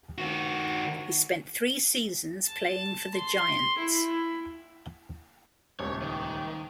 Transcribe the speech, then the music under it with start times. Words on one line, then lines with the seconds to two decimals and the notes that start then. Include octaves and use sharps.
He spent three seasons playing for the Giants.
0.18 D#3 F#4
2.47 A5
3.15 C6
3.79 E4
5.80 D#1 C#2 C#5
6.01 D#3